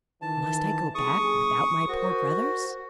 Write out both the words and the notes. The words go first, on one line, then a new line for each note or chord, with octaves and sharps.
"Must I go back without my poor brothers?"
D#3 E3 A5
G1 G#4 C#6 D#6
F#4 A#4 C5